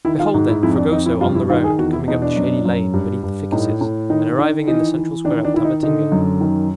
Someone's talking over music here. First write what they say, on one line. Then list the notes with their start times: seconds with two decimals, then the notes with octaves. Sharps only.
Behold, then, Fragoso on the road, coming up the shady lane beneath the ficuses, and arriving in the central square of Tabatinga!
0.05 D#3 E4
0.19 F4
0.34 G#2 F#4
0.48 E4
0.63 F2 E4
0.77 D4
0.91 F2 D#4
1.06 E4
1.21 G2 F4
1.35 E4
1.50 D#3 F4
1.64 G#4
1.79 E2 F#4
1.93 E4
2.08 B2 D#4
2.22 D4
2.36 F#2
2.65 F#2
2.94 G2
3.23 G2
3.52 A2 D#4
3.81 A2
4.10 D#3 D#4
4.38 D#3 D4
4.67 E3 D#4
4.96 E3
5.25 D#3 D4
5.45 D4
5.54 D#3 E4
5.64 D#4
5.83 D3 D#4
6.12 F#2
6.41 D#3